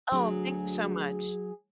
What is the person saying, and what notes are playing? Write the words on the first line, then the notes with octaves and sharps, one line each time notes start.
Oh, thank you so much.
D2 F#3 G#4